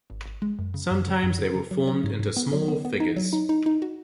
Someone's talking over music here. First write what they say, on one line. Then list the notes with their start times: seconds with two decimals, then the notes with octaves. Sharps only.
Sometimes they were formed into small figures.
0.10 G#1
0.26 G#1
0.42 G#3
0.59 F#2
0.74 C#3
0.91 F#2
1.07 C#3
1.23 F#2
1.39 C#3
1.55 C#3
1.71 F#3
1.87 F#3
2.04 G#2
2.19 G#2
2.37 B3
2.53 F#3
2.68 B3
2.85 B3
3.00 D#4
3.16 F#3
3.33 D#4
3.49 D#4
3.66 D#4
3.82 F#4